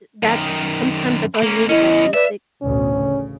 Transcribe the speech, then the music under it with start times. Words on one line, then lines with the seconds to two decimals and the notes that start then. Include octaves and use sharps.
that's sometimes that's all you need is that basic
0.23 F#2 D#3
1.43 A#3 C#4
1.69 E2 C#4 E4 D#5
2.14 B4 D5 E5
2.62 A1 D2 B2 C#4
2.98 C#3